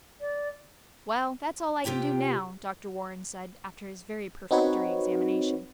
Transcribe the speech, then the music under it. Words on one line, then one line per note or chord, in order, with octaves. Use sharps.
"Well, that's all I can do now," Dr. Warren said, after his very perfunctory examination.
D5
C3 F4 G4 G5 A#5
C4 D#4 F#4 B4 C#5